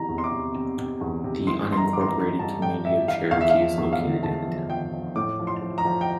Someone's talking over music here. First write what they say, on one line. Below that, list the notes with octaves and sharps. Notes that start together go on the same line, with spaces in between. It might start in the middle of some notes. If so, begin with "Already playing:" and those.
The unincorporated community of Cherokee is located in the town.
Already playing: C3 E3 A#5
E2
C6
D6
C3
C3
C3
E2
C3
E3 C6
G2 C6
A#5
G2 D6
C6
A#5
E3
G2 A5
G2 G5
G2 E5
E3 F5
E2 F5
E5
F3 F5
E2
F5
D3
E2 A5
F3
F3 G5
F3
A2 D6
F3
C6
F3
A#5
F3
G5